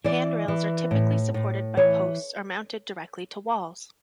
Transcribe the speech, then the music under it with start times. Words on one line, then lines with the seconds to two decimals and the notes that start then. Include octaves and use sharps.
Handrails are typically supported by posts or mounted directly to walls.
0.04 E3 D5
0.48 E3
0.91 A2
1.34 A2
1.77 E3 C#5